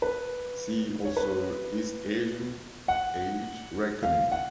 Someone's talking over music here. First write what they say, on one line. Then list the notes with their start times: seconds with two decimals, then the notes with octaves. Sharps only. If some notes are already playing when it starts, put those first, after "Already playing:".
See also East Asian age reckoning.
0.02 B4
1.05 C#5
1.17 B4
2.88 F#5
4.03 F5
4.32 F#5